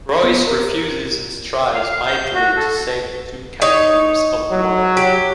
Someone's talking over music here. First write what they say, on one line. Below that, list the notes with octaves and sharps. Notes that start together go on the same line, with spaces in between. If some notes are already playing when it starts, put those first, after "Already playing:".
Royce refuses and strives mightily to save the two "captives" of the wild.
B3
A#4
F5
F5
G6
F#4
A4
D#4 C#5
F#3
G4